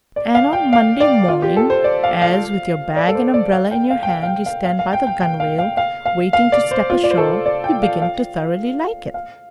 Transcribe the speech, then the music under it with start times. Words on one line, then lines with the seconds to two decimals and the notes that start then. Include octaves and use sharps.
And on Monday morning, as, with your bag and umbrella in your hand, you stand by the gunwale, waiting to step ashore, you begin to thoroughly like it.
0.16 D5
0.35 F5
0.53 G5
0.73 F5
1.00 D5
1.28 F4
1.42 G4
1.56 A4
1.70 C5
1.84 D5
2.03 F5
2.22 F5
2.96 D5
3.08 A4
3.15 C5
3.34 D5
3.53 F5
3.71 G5
3.90 F5
4.03 G5
4.09 F5
4.23 F5
4.27 G5
4.46 F5
4.65 F5
4.79 F5
4.93 G5
5.07 G5
5.21 G5
5.40 F5
5.59 F5
5.77 F5
6.06 F5
6.33 F5
6.52 D5
6.71 C5
6.90 F4
7.04 D5
7.11 C5
7.17 A4
7.46 D5
7.64 G5
7.83 F5
8.02 F5
9.14 F5